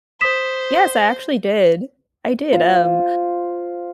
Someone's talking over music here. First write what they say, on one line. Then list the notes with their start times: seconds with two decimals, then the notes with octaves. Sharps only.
Yes, I actually did. I did, um,
0.21 C5 D#6 B6 E7
2.53 F4 C5